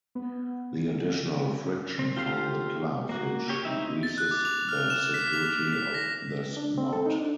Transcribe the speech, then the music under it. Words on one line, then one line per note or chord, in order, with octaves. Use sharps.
The additional friction from the clove hitch increases the security of this knot.
B3
C4
F4 G4 A4 C5 F5
A#3 F#4
G4 C#5
C4 D#4 E4 E5
A6
F#6
D6
F7
F6
E7
B6
F7
B6
A#6
D4
C4
A4
D#4
D4